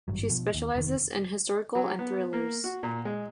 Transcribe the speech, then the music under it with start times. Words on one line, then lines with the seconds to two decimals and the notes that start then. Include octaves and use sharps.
She specializes in historical and thrillers.
0.08 G#1 G2 F#3
0.29 B2 F3
0.55 D#2
0.75 F1 A2 D#3
1.75 F#3
1.99 B3
2.33 A#3
2.64 F#4
2.83 A#2
3.05 G#3